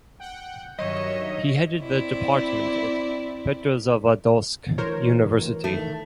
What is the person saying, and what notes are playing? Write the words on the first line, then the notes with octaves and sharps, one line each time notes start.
He headed the department at Petrozavodsk University.
F#5 G5
G2 D#3 F#3 C#5 D#5 E5
C4 E4 D5
D2 E3 A#4 C5 C#5
D#3 A3